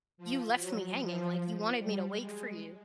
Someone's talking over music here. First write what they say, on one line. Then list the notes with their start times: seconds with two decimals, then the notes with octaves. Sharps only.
"You left me hanging, like, you wanted me to wait for you,
0.18 F3
0.58 F#3
0.98 F3
1.79 G3
2.19 G#3